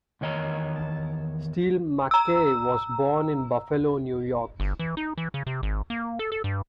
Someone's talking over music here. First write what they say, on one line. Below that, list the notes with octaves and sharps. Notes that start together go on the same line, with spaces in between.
Steele MacKaye was born in Buffalo, New York.
E2 D#3 C#5 D#5 A#5
A#5 E6
G1
E3
D#4
E3
C#3
C3
G#1
A#3
A4
A4
G2